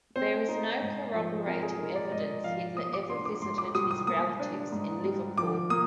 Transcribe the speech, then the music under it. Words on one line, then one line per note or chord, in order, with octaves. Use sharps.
There is no corroborating evidence Hitler ever visited his relatives in Liverpool.
C4 C5
D#4
G#2
F3
C4 A#4
G#4
D#4 A#4
D5
G#2 D#5
F3 F5
A#3 D#6
D6
D4 C6
D6
G#2 C6
D6
G3 D#6
D#6
A#3 D#6
D4
G#2
G3
F3 D6
A#3 D#6